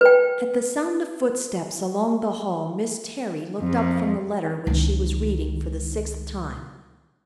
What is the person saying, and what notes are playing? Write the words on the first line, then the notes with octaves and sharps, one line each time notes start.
At the sound of footsteps along the hall Miss Terry looked up from the letter which she was reading for the sixth time.
B4 G5
F2
C#2 D#3